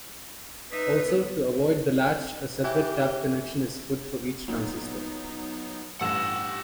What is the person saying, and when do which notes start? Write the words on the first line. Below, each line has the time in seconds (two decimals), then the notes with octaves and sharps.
Also to avoid the latch, a separate tap connection is put for each transistor.
0.71 D#4 B4 E5
1.06 B3
2.64 E3 G4
4.48 A#2 F#3 B3 D#4
6.01 A1 G2 E3 G4 F#5 E6 E7